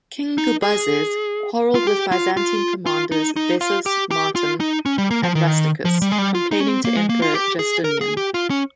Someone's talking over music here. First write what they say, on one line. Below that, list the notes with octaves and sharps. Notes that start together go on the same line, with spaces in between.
King Gubazes quarreled with Byzantine commanders Bessas, Martin, and Rusticus, complaining to emperor Justinian.
D#4
G#4
F4
G4
F4
F4
F4
D#4
D#4
F4
G4
G4
F4
D#4
C#4
G3
A#3
F3
D#3
F3
G3
G#3
G3
F4
D#4
C#4
C4
A#3
G#3
A#3
F4
G4
G#4
A#4
G#4
G4
F4
C#4